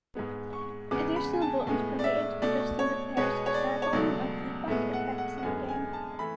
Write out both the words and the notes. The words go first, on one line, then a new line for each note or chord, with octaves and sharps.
Additional buttons permitted adjusting the player's guitar volume and feedback effects in the game.
G#2 G#3 B3
C#6
E2 C#3 G#3 B3 D6
B5
G#5
A5
A2 G#3 B3 G#5
D5
E5
B2 A3 D5
C#5
B2 G#3 B3 C#5
C#5
D5
C#5
C#2 B2 F#3 A3 D5
A2 G#3 B3 E5
F#5
F#5
F#5
F#2 D3 G#3 B3 G#5
G#5
A5
E3 A3 B5